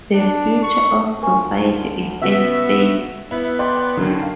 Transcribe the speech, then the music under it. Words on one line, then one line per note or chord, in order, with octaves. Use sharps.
The future of society is at stake.
D4
C#6
D2 A#3 F4 G#5 C#6
C#3 B3 F#4 E5
B3 E4
D5 G5 C6
F#2 D3 D#3
F5